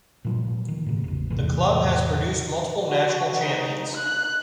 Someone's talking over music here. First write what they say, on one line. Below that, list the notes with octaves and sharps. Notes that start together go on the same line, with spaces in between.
The club has produced multiple national champions.
A#2 F3 G3
D#3
A2 C#3
E1 A1
E2 A2 C3 E3
F#4
D#4
F#6